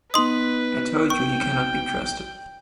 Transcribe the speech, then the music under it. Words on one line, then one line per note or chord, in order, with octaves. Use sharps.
I told you he cannot be trusted.
B3 D#4 B4 D#5 C6 D#6
G5 C#6